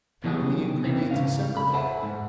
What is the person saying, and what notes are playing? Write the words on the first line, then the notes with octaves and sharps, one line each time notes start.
Pound the ingredients separately.
B2 E3 F#3 G3 G#4
B2 D#3 E3 C4
G#2 C#3 F5
B5
A4 C5 E5 F#5 G#5
G#2